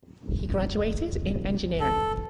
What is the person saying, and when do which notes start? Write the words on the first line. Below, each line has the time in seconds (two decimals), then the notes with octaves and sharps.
He graduated in engineering.
1.80 A4